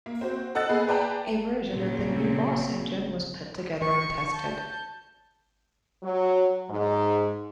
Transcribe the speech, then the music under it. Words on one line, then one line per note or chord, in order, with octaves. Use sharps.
A version of the new Boss engine was put together and tested.
A#3
C4 F#4
A4 D#5 F#5 E6 F#6 A6
A#3 B3 G#4 A4
G#4 B4 D5 G5 A5 A#5
A#2 C#3 F#3 C4
C#6
A5 G6
F#3
G#2